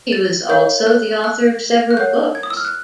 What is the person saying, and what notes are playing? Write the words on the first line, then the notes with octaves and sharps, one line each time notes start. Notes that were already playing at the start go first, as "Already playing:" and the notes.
He was also the author of several books.
A6
A#4 C#5 F5 G6
F#6
F#6
F#6
A#4 C#5 F#5 G6
G#6
D#6
E6
F6
F#6